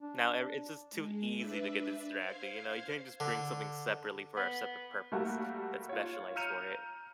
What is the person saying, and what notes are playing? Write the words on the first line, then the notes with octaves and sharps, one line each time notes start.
Now every it's just too easy to get distracting, you know? You can't just bring something separately for a separate purpose that's specialized for it.
D4
G#3
D4 B4 E5
C5 F5 G#6 C7
D3
B3
G3 A3 A#3 F#4 A4
F4 C#5
A#5 F6 G6 C#7 D#7 F7